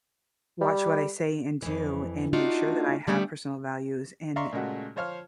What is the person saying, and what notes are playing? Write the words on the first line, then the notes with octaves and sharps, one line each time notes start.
watch what I say and do, and make sure that I have personal values, and it
G3
F2 E3
A3 D4 D#4 F4 F#4
D3 G3 A3 B3 G4
D5 E5 F5 A#5 C6 C#6
A#2 C#3 G#3 A3 F#4
F3 C5 C#5 F5 F6